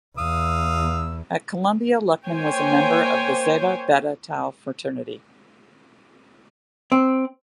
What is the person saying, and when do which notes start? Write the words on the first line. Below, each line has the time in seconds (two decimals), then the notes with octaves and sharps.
At Columbia Luckman was a member of the Zeta Beta Tau fraternity.
0.18 E2 F5 D#6 E6
2.28 A#3 C5 C#5 G5 G#5
6.92 C4